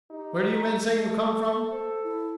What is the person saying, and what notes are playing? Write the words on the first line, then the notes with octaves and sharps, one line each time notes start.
"Where do you men say you come from!"
D#4 G4
A#5
A3
A4
C5
E4